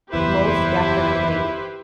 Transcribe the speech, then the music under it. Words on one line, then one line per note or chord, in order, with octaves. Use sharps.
Most definitely.
F#1 E2 E4 G4 B4 C5